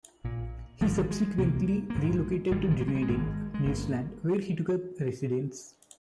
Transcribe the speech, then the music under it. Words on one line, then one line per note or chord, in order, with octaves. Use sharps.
He subsequently relocated to Dunedin, New Zealand, where he took up residence.
A#1 A#2
G#1 G2 F3
G3
G#3
C#2 C3 A#3
A#3
A#1 G#2 G#3
G#1 G2 G3
D#3
F3
A#3
G#3
G3
G#3
G#1 G2
G#3
G1 G2 A#3